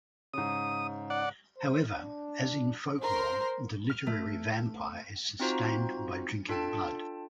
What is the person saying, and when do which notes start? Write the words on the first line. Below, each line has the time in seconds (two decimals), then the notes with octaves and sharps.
However, as in folklore, the literary vampire is sustained by drinking blood.
0.34 G#2 C#3 D#6
1.10 D5 F#5
1.58 C5
1.94 D4
3.01 A#4 C5 C6
3.89 F6
4.07 A3
5.40 C4 D#4 F4 F#4 C5 A#5
6.49 D4 F4 A4 G5 A5